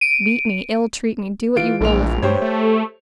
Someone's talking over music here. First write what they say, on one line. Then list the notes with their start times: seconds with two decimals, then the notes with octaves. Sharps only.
Beat me, ill-treat me, do what you will with me....
0.01 D7 D#7
1.56 E3 F4 D7
1.81 D1 A#1 F7
2.22 G2 G4 C5 C#5
2.41 A3